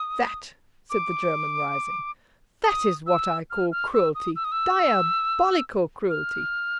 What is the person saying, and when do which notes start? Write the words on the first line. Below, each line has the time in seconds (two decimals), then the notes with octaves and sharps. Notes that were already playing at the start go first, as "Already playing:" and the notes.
That," said the German rising, "that is what I call cruelty--diabolical cruelty.
Already playing: D#6
0.90 D6
2.64 D#6
3.07 E6
3.50 F6
3.72 F6
3.94 E6
4.15 D#6
4.36 E6
4.44 D#6
4.52 E6
6.10 F6